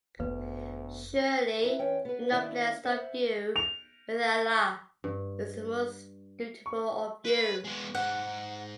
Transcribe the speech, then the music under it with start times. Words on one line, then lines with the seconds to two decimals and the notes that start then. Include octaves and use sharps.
Surely the noblest of you with Allah is the most dutiful of you.
0.20 F1 D2 B3 B4
1.63 E4 B4 A#5
1.79 E2 C#4 G5
2.05 B3 B4
2.31 D#3 A#3 D4 E4
2.84 C5 E5 F#5
3.56 F7
5.04 G2
6.66 C#6
7.25 B4
7.64 G#3 B3
7.95 G#2 F#5